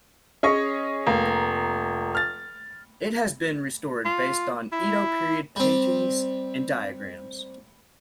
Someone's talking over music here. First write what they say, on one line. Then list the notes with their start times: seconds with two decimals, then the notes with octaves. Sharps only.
It has been restored based on Edo-period paintings and diagrams.
0.43 C#4 G#4 C#5 D#5 C#6
1.07 F1 A#3 A#5
2.15 F6 A6
4.05 F4
4.72 E4
5.56 G3 C4